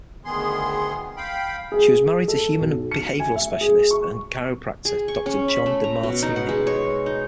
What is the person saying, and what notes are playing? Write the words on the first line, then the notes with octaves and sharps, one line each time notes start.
She was married to human behavioral specialist and chiropractor Doctor John Demartini.
D2 D#3 B3 G#4 C6
F5 G5 B5
G#4
A4
B1
C#7
G#5
E5
G#4
C#6
G#4
C#6
C#4
B5
A3
A#5
B2
D#4
F#5
G#3
C#5
D#4